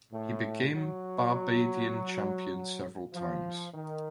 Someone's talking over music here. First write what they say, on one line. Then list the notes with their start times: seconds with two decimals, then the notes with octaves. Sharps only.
He became Barbadian champion several times.
0.12 A2
0.72 F#3
3.14 F3
3.74 D#3